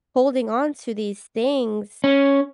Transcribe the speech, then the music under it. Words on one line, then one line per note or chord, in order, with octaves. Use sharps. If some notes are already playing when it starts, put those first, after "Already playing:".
holding onto these things
C#4